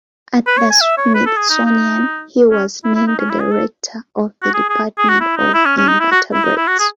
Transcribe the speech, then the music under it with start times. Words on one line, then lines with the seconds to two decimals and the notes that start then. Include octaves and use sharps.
At the Smithsonian, he was named the director of the department of invertebrates.
0.47 B4
0.58 C#5
0.70 G#5
0.81 E5
0.98 C#5
1.15 B4
1.26 A4
1.37 G#4
1.50 D#4
1.66 D#4
2.51 C#4
2.84 E4
2.95 E4
3.07 D#4
3.19 C#4
3.30 E4
3.40 G#4
3.51 A4
4.42 F#4
4.54 G#4
4.70 G#4
4.98 G#4
5.09 F#4
5.21 E4
5.37 D#4
5.54 E4
5.66 C#4
5.77 C#4
5.88 D#4
6.00 E4
6.12 F#4
6.33 E4
6.44 D#4
6.57 E4
6.67 F#4
6.79 G#4